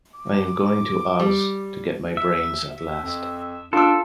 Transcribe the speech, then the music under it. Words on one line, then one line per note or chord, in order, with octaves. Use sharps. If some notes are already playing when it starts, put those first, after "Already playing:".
I am going to Oz to get my brains at last.
D6
G3
E5
F2
D4 F4 A4 E6